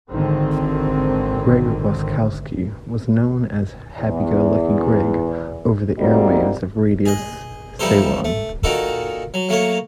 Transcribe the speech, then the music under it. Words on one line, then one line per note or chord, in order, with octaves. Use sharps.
Greg Roskowski was known as 'Happy-go-lucky-Greg' over the airwaves of Radio Ceylon.
G#1 D3 D#3 C4
E2
G3 A#3 C4 D#4 F4 F#4
G#4 D#5
E3 F3 G3 D#4 A4 C5
A3
A#2 D#3 D#4 F#4 A4
F#3
F#3 A3 A#3 C#5